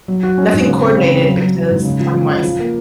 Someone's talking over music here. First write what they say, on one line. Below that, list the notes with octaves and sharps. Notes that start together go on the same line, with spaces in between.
nothing coordinated because timewise
F#3
F#4
C#4
G#2
C#3
C4
C#3
C4
F#3
F#3
F#3
G#2
C#3
F3
F3
C#3
F3
A#3